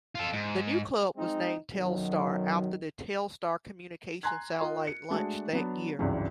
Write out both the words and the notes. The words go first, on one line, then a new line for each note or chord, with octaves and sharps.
The new club was named Telstar, after the Telstar communication satellite launched that year.
F4 A4
G#2
G#3 C4 D#4
B1 F#2 D#3 F#3
G#5 A#5 C6 F#6 G#6
F4 A#4 D#5 C6
C#7
G#3 A3 D4 F#4
F#3 B3 D4
G#1 C#2 G2 C3 E3 F#3